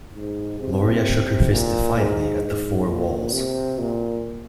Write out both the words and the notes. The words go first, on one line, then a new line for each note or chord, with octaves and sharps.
Gloria shook her fist defiantly at the four walls.
G#2
C3
A#2
G#2
G#2
A#2
C3
A#2